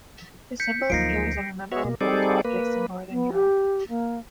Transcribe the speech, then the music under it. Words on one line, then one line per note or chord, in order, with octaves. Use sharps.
The symbol appears on a number of old objects in Northern Europe.
G6 B6 C#7
D2 F3 F#3 A#3 D#4 A#6 C7 D7
B3 F#4 C#5 E5
B2 A#3
G3 C4 D#4 G#4 A4 D5
A#3 B4
B3
G4
A#3